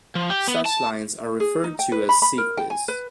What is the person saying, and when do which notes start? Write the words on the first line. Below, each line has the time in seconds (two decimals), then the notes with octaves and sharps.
Such lines were referred to as "ceques".
0.15 F3
0.30 G4
0.48 B3
0.66 A5
1.40 G#4
1.64 D#4
1.79 G5
1.92 B4
2.09 B5
2.22 B5
2.38 A#4
2.57 G5
2.70 G#5
2.88 B4